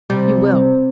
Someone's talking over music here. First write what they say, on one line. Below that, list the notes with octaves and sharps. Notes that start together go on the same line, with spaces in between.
"You will."
C3 G3